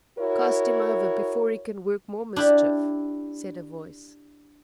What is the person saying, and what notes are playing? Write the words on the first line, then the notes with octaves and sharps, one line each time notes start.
"Cast him over before he can work more mischief," said a voice.
E4 F#4 A#4 C#5
D4 E4 G4